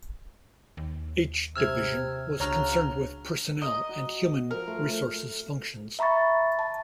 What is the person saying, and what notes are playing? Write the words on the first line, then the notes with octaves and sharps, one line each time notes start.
H Division was concerned with Personnel and Human Resources functions.
D#2
C3 E6 F6 G#6
C#2 C#3 F#3 D4 C#5 A#5 F6
D#5 A#5
F#4
F3 A#4
A3 C6 D6
E5 A#5 B5 C#6 A6
A5